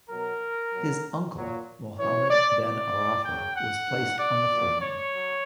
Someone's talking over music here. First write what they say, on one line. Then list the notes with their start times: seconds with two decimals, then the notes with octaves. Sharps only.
His uncle, Mohammed Ben Aarafa, was placed on the throne.
0.10 B2 F#3 A#4
0.73 B2 F#3
1.36 A#2 F#3
1.99 F#2 E3 C#5
2.30 D5
2.62 B2 F#3 D5
3.24 F#2 C#3 F#3 G5
3.56 F#5
3.88 G2 D3 F#3
4.19 D5
4.50 A#2 F#3
4.82 C#5
5.13 F#3